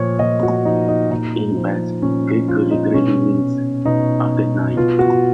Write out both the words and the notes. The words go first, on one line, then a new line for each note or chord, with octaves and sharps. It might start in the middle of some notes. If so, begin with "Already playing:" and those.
In Basque, Gaueko literally means "of the night".
Already playing: A#2 F3 C#5
A#2 D#5
F#4
F3 D#4
D#4
A#2 D#4
F3
A#2 C#4
F3 F4
D#4
B2 C#4
B2 D#4
B2 F4
F#4